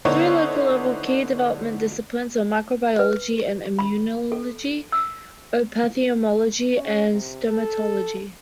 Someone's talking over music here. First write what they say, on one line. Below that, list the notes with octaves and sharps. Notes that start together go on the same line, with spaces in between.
Three Local-level Key Development Disciplines are Microbiology and Immunology, Ophthalmology and Stomatology.
D3 B3 D#4 E4 C5 C#5
B4
B5
A4
E6
C#4
C3
A4